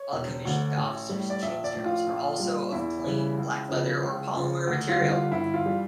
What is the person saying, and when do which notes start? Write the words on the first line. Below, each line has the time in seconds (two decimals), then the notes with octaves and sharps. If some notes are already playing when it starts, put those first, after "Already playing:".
All commissioned officers' chinstraps are also of plain black leather or polymer material.
Already playing: C#5
0.13 E1
0.45 D2 D3
0.77 A1
1.09 A2 G3
1.30 D5
1.42 A#1 E5
1.64 D5
1.74 A2 F3
1.85 F4
2.07 A#1
2.39 A#2 G3
2.72 E2 E4
3.04 C#3 E3 G3
3.37 C#2
3.69 C#3 F3
4.02 C#2
4.35 C#3 F3
4.67 D2
4.89 F4
4.99 D3 G3
5.10 F4
5.32 G1 E4
5.54 F4
5.65 E3 G3